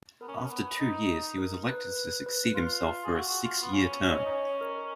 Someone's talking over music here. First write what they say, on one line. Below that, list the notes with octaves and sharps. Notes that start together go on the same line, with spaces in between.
After two years he was elected to succeed himself for a six-year term.
B3 A#4
C#4
B3
C#4
B3
D#4
A#4
B4
B4
F4
G#4
F#4
F#4
F4
B3
C#4
C#5
D#5
C#5
D#4
C#4
A#4